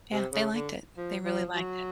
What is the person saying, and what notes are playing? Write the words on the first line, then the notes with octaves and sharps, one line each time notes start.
Yeah, they liked it. They really liked it.
C3
C#3
D3
F3
F3
F#3